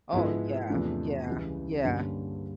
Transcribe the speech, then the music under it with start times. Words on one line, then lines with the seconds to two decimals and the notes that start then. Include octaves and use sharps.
Oh, yeah, yeah, yeah.
0.13 G#2 F3 G#3 B3 E4
0.70 E2 C3 F3 A3 D4
1.28 C#2 C#3 E3 G3
1.84 G2 D3 G3 A#3 C#4